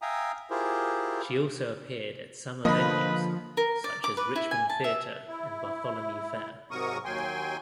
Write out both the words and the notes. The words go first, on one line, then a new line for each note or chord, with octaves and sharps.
She also appeared at summer venues such as Richmond Theatre and Bartholomew Fair.
E5 F5 G5 G#5 A#5 D#6
E4 F4 G4 G#4 A#4 C5
D3 F3 A#3 B4 D#5 B5
A#4
D5
D6
B4
E4
G#5
A5
E5
E4
G#2 C3 F#3 A#4 C#6 D#6
D#2 F#3 G5 G#5 C6